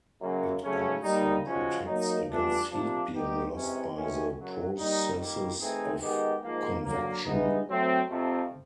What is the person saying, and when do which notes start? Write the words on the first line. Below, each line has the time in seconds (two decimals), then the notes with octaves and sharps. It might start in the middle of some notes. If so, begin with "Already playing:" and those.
It also protects against heat being lost by the processes of convection.
0.20 F#2 C#3 F#3 A#3
0.62 C#3 F#3 A3 C#4
1.03 G3 A#3 D#4
1.45 C#3 F3 G#3 C#4 F#4
1.87 F#3 A#3 D#4
2.28 G2 E3 A3 D4 F4
2.69 C3 F3 A#3 D4
3.11 G3 B3 D#4 G4
3.52 C3 E3 G#3 C#4
3.94 A2 E3 G#3 C#4 F#4
4.35 F#2 C#3 F#3
4.77 G3 A#3 D#4
5.18 D#3 G3 A#3
5.60 E3 A3 C4 D#4 G#4
6.01 D#3 G#3 B3 D#4 G4
6.43 G#2 F3 A#3
6.84 D3 F#3 A#3
7.26 G2 E3 G#3 B3 D#4
7.68 F#3 A3 C4
8.09 F2 C3 F3 A3 C4